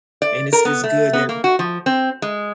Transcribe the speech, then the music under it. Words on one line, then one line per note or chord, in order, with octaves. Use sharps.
And it's just good that
D5
A#4
B3
A3
B3
A#3
F#4
F3
C4
G#3